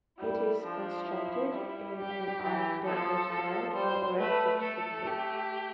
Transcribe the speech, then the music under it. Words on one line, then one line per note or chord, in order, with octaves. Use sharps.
It is constructed in an Art Deco style from red textured brick.
G3 E4
F3 D4
E4
G3
G4
E3
F3 A4
F3
G3 C5
A3 B4
A3 A4
G4